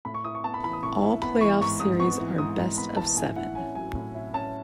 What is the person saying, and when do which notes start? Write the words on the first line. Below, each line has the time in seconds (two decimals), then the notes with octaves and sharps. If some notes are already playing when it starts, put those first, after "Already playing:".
All playoff series are best-of-seven.
0.05 A2 B5
0.14 C#6
0.24 E4 D#6
0.35 C#6
0.44 B3 A5
0.54 B5
0.64 E3 B5
0.73 D#6
0.83 A2 C#6
1.02 E4
1.22 B3 B5
1.41 E3 C#6
1.61 G#2 C#6
1.80 G#2 D#6
1.99 B3 C#6
2.20 E3
2.38 G#2 D#6
2.58 G#2
2.78 B3 B5
2.97 E3 A5
3.17 A2 G#5
3.36 E4 F#5
3.55 C#4 G#5
3.75 F#3 G#5
3.95 A2
4.15 E4
4.34 C#4 A5